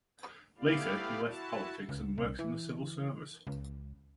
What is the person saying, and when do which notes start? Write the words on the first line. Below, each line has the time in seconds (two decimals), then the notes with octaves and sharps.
Later he left politics and works in the civil service.
0.59 A3 B3 E4 G4 D5 F5
1.27 E4 F#4 A5
1.89 C#2
2.18 C2
2.39 E3
3.47 C#2